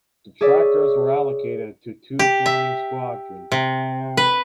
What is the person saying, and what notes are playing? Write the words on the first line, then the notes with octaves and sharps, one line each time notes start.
The Trackers were allocated to two flying squadrons.
G#4 C#5 D5 E5
G4
E5
C3
B4